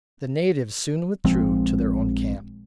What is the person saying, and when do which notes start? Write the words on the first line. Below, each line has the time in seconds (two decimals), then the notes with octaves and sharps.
The natives soon withdrew to their own camp.
1.25 A#1 F3 G#3 C4